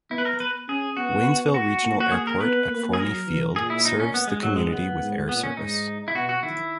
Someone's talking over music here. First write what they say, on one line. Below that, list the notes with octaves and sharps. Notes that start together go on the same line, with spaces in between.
Waynesville Regional Airport at Forney Field serves the community with air service.
B3 E4
B4
A#4
B4
C#4 G#4
B3 F#4
F#4
A#3
F#4
A#3 G#4
A#4
B3 B4
A#3
G#4
F#3 A#4
E3
A#2 G#4
E4
D#4
C#4
B3
G#3
G#2 F#3
G#3
F#2 B3
G#2
A#2 B3
C#4
G#2 D#4
E4
B2 F#4
F#4
D#3 E4